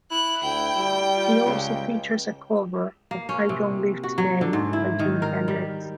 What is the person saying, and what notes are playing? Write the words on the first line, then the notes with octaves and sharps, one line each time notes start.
It also features a cover of "I Don't Live Today" by Jimi Hendrix.
E4 F#6
D2 G5
G3
F4
C#2 C#3
A#3
C#4
C3
F#4
F#3
D3
G#2
E4
D#3
A#4
G3